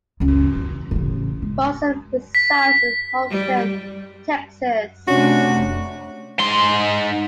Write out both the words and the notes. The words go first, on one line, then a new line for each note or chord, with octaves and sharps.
Fossum resides in Houston, Texas.
C#2 C#4
E2
A1 C#3
G#3
B6
G3
C3 A3 C#4 D4 F#4
G#2 C6